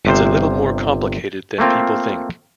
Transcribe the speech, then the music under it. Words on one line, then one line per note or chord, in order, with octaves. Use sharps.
It's a little more complicated than people think.
G1 C3 C5
A3 A#3 C4 F4